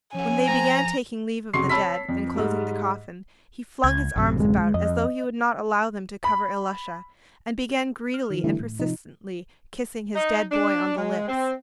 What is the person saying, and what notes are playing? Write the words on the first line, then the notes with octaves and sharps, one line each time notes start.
When they began taking leave of the dead and closing the coffin, he flung his arms about, as though he would not allow them to cover Ilusha, and began greedily and persistently kissing his dead boy on the lips.
F3 C#4 G#4 F#5 G#5
C4 A#5
F1 C#3 F#4 C6 C#6 C7
C#5 A5 B5 E6 B6
F2
G#2 G3
C#2 G#6
A1 F#2 C3
D2 G#3
F2 D#5
B5
F6
D#3 F3
D3 E3 G3 A3 E4
A2
C3 F3 D#4
D#4
D4
G#3
C4